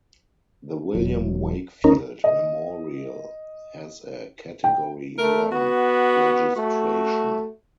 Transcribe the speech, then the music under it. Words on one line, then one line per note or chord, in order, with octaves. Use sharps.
The William Wakefield Memorial has a Category One registration.
E1 F#3
D2 C#4 D#4 A#4
D#5
G5
A3 A#4
B3 F#4
A3 F#4